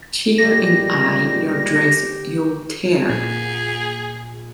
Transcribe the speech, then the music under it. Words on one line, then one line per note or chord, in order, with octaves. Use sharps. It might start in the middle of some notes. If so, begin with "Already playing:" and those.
Tear in eye your dress you'll tear.
A#2 G3 G#3 G4 A#6
A#2 G#4